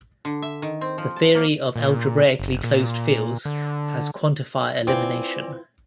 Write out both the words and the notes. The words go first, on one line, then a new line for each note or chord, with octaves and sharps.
The theory of algebraically closed fields has quantifier elimination.
D3
E5
D#3
C4
F3
A5
A#3
A#2
F#1
A#2
D3
C4 E4 F4 B4 D5 G#5 D6